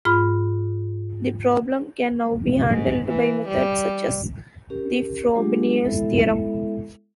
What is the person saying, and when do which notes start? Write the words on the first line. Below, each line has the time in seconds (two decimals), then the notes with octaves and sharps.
The problem can now be handled by methods such as the Frobenius theorem.
0.05 G#2 F4 B5 F6
2.68 G#2
3.08 E3
3.48 G3
4.70 C#4 G4 A#4
5.35 F#3 G#3 D4 F4 G4 G#4
5.84 G#3 B3 E4 A4 E5